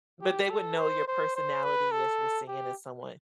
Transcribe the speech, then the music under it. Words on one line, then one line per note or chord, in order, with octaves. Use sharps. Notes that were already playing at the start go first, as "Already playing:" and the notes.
But they would know your personality as you're saying, as someone
G4
A4
C5
C5
C5
B4
A4
G4